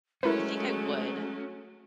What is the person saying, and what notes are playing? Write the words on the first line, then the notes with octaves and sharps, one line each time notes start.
I think I would,
F#3 G#3 A3 C#4 E4 A#4 B4